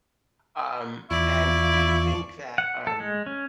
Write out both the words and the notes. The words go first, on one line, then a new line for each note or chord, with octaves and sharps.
um, and, do you think that, um,
E2 E4 F4 D5 C#6
F#5
A4
G#3
C#4